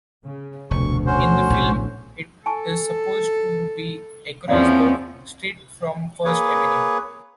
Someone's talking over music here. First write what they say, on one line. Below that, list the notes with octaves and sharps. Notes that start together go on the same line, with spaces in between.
In the film, it is supposed to be across the street from First Avenue.
C#3
F1 D2 B2 C#6
C#4 F#4 C5
A#1 A2 C3
A4 G#5 A5 C#6
E2 F3 A#3 C4 C#4 E4 D5 F5
A#3 G#4 B4 C#5